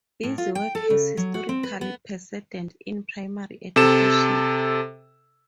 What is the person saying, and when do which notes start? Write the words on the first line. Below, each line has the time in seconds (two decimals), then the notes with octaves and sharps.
Busy work has historical precedent in primary education.
0.23 A2
0.38 F4
0.55 G5
0.75 A4
0.90 C#3
1.17 F#3
1.34 F#4
1.49 C4
1.63 B4
1.81 B3
3.76 C3 A4 E7